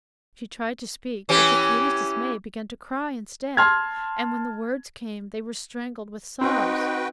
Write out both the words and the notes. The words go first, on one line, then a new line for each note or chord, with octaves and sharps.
She tried to speak, but to Katy's dismay began to cry instead; and when the words came they were strangled with sobs.
E3 C#4 G4
A5 C6 F6 G#6
C4 D#4 F#4 B4 G5